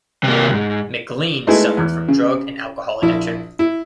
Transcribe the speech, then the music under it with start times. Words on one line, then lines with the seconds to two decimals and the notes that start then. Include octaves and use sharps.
McLean suffered from drug and alcohol addiction.
0.24 C3 A#3
0.48 C#2 G#2
1.47 G#3 A3 B3 D#4 E4 G#4
1.77 E2
2.08 C#3
3.02 A#1 E4
3.59 E4